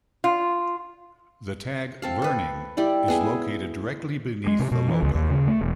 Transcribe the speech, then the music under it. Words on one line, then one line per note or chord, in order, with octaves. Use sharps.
The tag 'Learning' is located directly beneath the logo.
F4
C4 A4 F5
A4 B4
G3 E4 G4 D5
B3 G#4 E5
G#3
C3
B2
E3
C#2
D#2
C#3
A3
E1